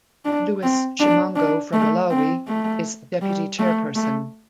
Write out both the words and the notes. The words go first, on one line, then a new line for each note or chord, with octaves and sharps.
Louis Chimango from Malawi is Deputy Chairperson.
D4
C4
D4
D4
A3
C4
A3
G3
A3
A3